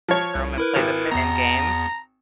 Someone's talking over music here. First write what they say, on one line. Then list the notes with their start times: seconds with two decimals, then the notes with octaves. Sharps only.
in a room and play the same game,
0.09 F3 C#5
0.35 C2
0.58 E4 A#4 B4
0.76 G#1
1.12 E2 B3 A#5